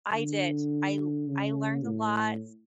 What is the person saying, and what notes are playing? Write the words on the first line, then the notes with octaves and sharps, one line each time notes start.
I did, I l I learned a lot,
D3
C#3
A2